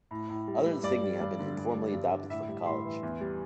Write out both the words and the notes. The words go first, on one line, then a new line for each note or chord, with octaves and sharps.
Other insignia have been informally adopted for the college.
A2
A2
G3
G3
G2 D5
G3
G2
D3
G2
G3
G2
D3
A2 E5
G3
A2 C6
E3
E2
G3